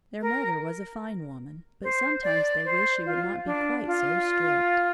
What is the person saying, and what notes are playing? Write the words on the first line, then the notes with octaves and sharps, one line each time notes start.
Their mother was a fine woman, but sometimes they wished she would not be quite so strict.
A#4
C5
D5
C5
F4
D4
F4